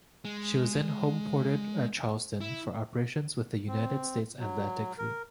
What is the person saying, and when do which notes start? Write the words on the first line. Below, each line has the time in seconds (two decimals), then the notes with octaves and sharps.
She was then home-ported at Charleston for operations with the United States Atlantic Fleet.
0.25 G#3
2.41 E4
3.68 C4
4.39 F#3
4.98 A#4